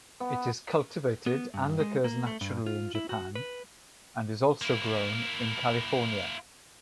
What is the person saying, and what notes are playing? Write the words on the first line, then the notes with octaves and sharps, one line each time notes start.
It is cultivated and occurs naturally in Japan and is also grown in California.
B3
B3
G2
G#3
A#3
A3
G2
F4
E4
F#4
B4
A#3 E4